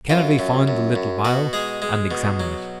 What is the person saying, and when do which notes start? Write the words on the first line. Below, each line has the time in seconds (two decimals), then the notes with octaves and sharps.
Kennedy found the little vial and examined it.
0.10 F#2 F4
0.39 F#2
0.68 F#2
0.95 F#2
1.25 B2 F#4
1.53 G#3 G#4
1.82 G#3
2.11 B2
2.40 F#3